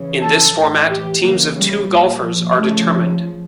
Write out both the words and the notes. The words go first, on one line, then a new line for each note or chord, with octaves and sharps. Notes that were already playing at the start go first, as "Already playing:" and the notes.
In this format, teams of two golfers are determined.
Already playing: C#3 E3
A4
A2 E3
G4
C#3 E3 A#3
G3
A#2 F3
C#3 F3 A3